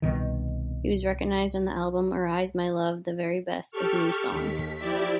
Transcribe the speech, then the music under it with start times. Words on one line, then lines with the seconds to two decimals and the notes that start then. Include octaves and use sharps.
He was recognized on the album "Arise, My Love, The Very Best of NewSong".
0.02 C2 B2 D#3
3.71 G4 A4 C#6 F6
4.29 D#2 B6
4.78 F3 E4 G4 D5 E5